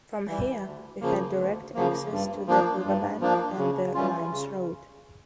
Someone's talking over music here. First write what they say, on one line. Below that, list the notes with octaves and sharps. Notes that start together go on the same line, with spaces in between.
From here you had direct access to the river bank and the Limes road.
E3 G3
D2
C#3 F3 A#3
D2
C#3 F3 A#3
G2
F3 A#3 D4
G2
F3 A#3 D4
C#3
E3 G3 C#4 F4
C#3